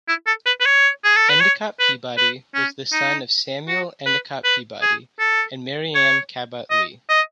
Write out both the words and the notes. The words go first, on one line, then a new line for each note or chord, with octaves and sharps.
Endicott Peabody was the son of Samuel Endicott Peabody and Marianne Cabot Lee.
E4
A4
B4
B4
C#5
G#4
A4
B4
C#5
B4
B4
C#4
D#4
F#4
B4
B4
G#4
A4
C#5
D#5
D#5